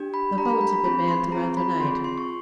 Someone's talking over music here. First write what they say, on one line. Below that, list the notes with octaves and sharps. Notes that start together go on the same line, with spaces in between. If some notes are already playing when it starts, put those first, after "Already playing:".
The phones had been manned throughout the night.
Already playing: D4 G4
B5
D4 G4 A#5
B5
A#5
B5
B5
C4 F4 G#4 B5
C6
C4 F4 G#4 A#5
B5
C4 F4 G#4 C6
C6
C#6